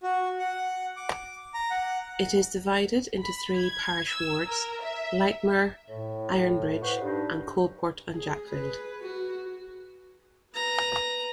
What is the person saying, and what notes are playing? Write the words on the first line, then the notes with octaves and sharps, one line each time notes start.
It is divided into three parish wards: Lightmoor, Ironbridge, and Coalport and Jackfield.
F#4
F#5
D6
A#5
F#5
B5
G#6
E6
A#4
E5
A2
F#4 B4 C5
G2 D4 D#4
G#4
G#4 B4
F#4
B4 A#5